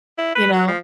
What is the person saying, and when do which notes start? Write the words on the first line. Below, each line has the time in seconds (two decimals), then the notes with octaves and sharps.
you know?
0.18 E4
0.35 B4
0.53 F#3
0.68 F3